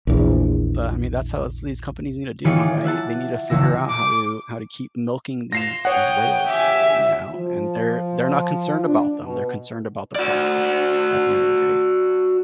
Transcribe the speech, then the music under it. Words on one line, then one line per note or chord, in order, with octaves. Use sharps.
But, I mean, that's how s these companies need to do 'em, right? They need to figure out how to how to keep milking these these whales, you know, and they're they're not concerned about them, they're concerned about their profits at the end of the day.
A#1 E2
D#3 E3 D#4 F4 G#4 C#5
D6
E5 F#5 A5
F1 C#2 E3 E6 A#6
D6
F4 A#6 C7 E7
C#5 F#5 G5 D#6
G4 E5 G#5
F3
D4
B2
F#4 D5